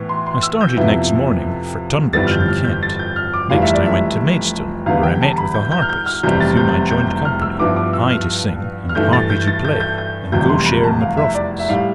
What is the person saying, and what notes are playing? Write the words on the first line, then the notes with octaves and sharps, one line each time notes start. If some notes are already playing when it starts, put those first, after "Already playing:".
I started next morning for Tunbridge, in Kent; next I went to Maidstone, where I met with a harpist with whom I joined company, I to sing, and harpy to play, and go share in the profits.
Already playing: A2 E3 B3
C6
C6
E6
G6
F2 C3 F3 B3 E4
G1 F2 E3 G3 B3 A6
F6
G6
F6
G6
A6
G6
F6
D6
F1 F2 E3 G3 F5
E5
D5
E5
E2 D3 G3 B3 F5
G5
A5
B5
G6
G6
F6
G6
F6
F1 E2 C3 G3 C4 G6
A6
G6
G6
G6
F6
E6
G2 F3 B3 E4 D6
D6
E6
F6
F6
G2 E3 A3 G6
A6
G6
A6
G6
G6
G6
F1 E2 C3 G3 G6
C6
B5
A5
F5
E5
D5
E5
A2 G3 F5